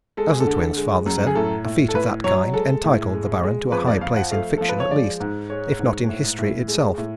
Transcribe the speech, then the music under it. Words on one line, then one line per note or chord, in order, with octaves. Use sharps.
As the Twins' father said, a feat of that kind entitled the Baron to a high place in fiction at least, if not in history itself.
G#3 A4
G#4
A4
D3
G#3
F#2
G#4
A2 A4
A2
A4
A2 B4
F#3 C#5
G#3 A4
A2
G#3
G#3
F2 B4
D5
F3 F5
F#5
A3 F5
F3 A4
B4
C#5
G#3 D5
G#2
G#3 C#5
G#2
A2
A2
G#3
A2